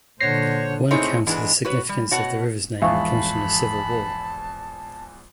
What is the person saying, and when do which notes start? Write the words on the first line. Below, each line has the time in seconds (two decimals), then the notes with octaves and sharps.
One account of the significance of the river's name comes from the Civil War.
0.20 A#2 D3 C5 C#5 F#5 A#6 C7
0.91 A2 C3 C4 D#4 G#4 C#5
1.27 G#2 E3 G#3 B3 D4
1.65 F#4 B4 C#5
1.89 G3
2.11 B2 F#4 C#5 F#5 A5
2.82 A#1 E2 G#2 E5 F5 A5 B5 C#6